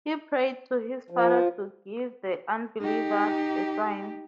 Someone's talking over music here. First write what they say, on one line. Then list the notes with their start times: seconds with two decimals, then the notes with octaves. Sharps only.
He prayed to his father to give the unbelievers a sign.
1.10 F3
2.81 D#4 G4